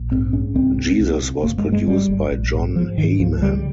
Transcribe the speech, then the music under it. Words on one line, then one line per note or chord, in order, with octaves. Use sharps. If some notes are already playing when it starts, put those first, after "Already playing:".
"Jesus" was produced by John Heyman.
Already playing: A#1
G#2 C4
G#2 C#4
C2 C4
C2
C2
C3
G1 A#3
G#3
G2
G#3
G1 G3
G1
A#1
G#2
G#2 F3
G#2 D#3
C#2 F3
C#3 G3